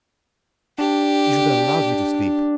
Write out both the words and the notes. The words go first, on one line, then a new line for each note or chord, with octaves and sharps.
You should have allowed me to sleep.
D4 G4